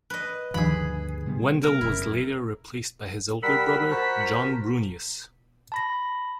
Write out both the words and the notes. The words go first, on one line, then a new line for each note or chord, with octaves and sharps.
Wendell was later replaced by his older brother, John Brunious.
B4 D#5
D2 G2 D3 D#3 F3 G#4 B5
C3 G3 B3
A#4
F1 F#2 C#3 E4
G3 A#4 F#5 B5 E6 B6
F#4 A#4 C5 A5
A5 B5 A#6